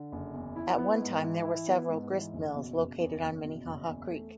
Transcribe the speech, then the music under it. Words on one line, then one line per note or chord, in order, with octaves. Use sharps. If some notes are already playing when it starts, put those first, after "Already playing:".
At one time there were several grist mills located on Minnehaha Creek.
Already playing: D3
F#1
E2
E4
B3
G#2
E3
E4
B3
G#2
E3
F#1
B2
F#1
E2
F#1
B2
F#1
E2
A3